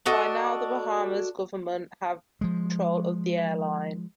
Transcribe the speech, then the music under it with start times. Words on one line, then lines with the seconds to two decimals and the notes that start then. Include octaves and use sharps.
By now the Bahamas Government had control of the Airline.
0.06 D4 F#4 A4 D#5
2.41 F3 G#3